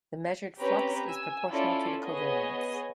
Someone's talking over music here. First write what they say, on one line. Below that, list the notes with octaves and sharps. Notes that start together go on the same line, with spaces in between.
The measured flux is proportional to the covariance.
C4 C#4 G4 B4 C#5 A#5
G#5 E6
C#4 E4 F4 A4 D5
B3 G#4 C#5 D#5 G#5